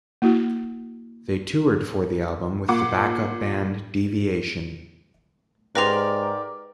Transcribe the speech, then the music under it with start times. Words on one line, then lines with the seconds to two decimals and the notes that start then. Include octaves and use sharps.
They toured for the album with the backup band Deviation.
0.22 A#3 E4 F#4
2.68 A#2 F#5 D6
5.75 G#2 G4 A#4 B4 D5 C6 A#6 F7